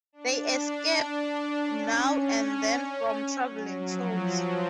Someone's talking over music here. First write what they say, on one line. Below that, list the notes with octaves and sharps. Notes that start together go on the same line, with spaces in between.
They escape now and then from travelling shows.
D4
C#4
F#3
F3